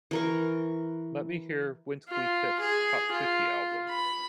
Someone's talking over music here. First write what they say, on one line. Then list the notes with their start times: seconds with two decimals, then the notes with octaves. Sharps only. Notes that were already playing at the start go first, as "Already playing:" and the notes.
Let me hear Wintley Phipps top fifty album.
0.11 E3 A#4 C#6
2.08 F4
2.60 G#4
3.12 F4
3.89 B5